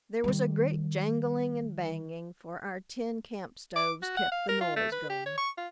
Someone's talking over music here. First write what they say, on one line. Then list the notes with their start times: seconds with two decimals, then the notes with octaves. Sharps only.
There was a great jangling and banging, for our tin camp-stoves kept the noise going.
0.24 D#3 G3
3.76 D6
4.02 F#4
4.17 F#5
4.31 F5
4.49 A#4
4.61 F4
4.76 A3
4.92 B4
5.10 G4
5.26 C#5
5.37 C#6
5.57 F4